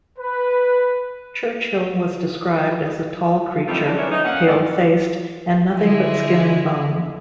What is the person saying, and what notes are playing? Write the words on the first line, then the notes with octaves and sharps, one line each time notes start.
Churchill was described as a tall creature, pale-faced, and nothing but skin and bone.
B4
G3 A3 A#3 C4 D#4 F4
C#3 E3 D4
G#4 A#4 B4 C#5 D5 E5
D#4
A#3 C#4 F5 F#5
G#2 E3 A4 A#4 D5
D3 G#3 E4